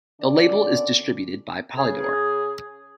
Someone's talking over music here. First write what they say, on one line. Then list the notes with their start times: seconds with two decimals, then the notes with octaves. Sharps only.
The label is distributed by Polydor.
0.21 D3 D#3 C#4 D5
1.77 C#3 G#4